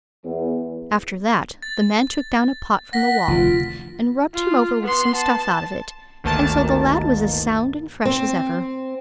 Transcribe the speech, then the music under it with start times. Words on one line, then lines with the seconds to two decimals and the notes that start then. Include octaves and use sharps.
After that the man took down a pot from the wall, and rubbed him over with some stuff out of it, and so the lad was as sound and fresh as ever.
0.24 E2
1.62 A6
2.93 F#5 A#6 B6
3.28 F1 D2 D#3 F4
4.34 F4
4.83 B3 C6
5.15 A5
6.24 G1 D2 D#3 A#3 A5 A6
8.05 C4